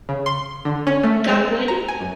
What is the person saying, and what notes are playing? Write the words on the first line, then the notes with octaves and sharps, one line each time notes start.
Got wood?
C#3
C6
D3
C#4
A3
G#3
A#5
G#5
F#2